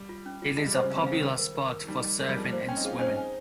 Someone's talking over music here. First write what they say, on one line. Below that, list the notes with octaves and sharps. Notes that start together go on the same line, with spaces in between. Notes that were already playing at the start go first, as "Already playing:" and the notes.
It is a popular spot for surfing and swimming.
Already playing: G3
F4
C#4
F4
G#3 F5
G3
G#3 C5
C#3
C3 F5
C#3
F5
D#3
A#4
A#4
A#4
A#4
G3 D#4
G3 D#5
G#3 A#4
G3
F3 A#4
G3
A#3 C5
C4
C#4 G5
D#4
F4 G#4
D#4
C#4 C5
D#4
G#5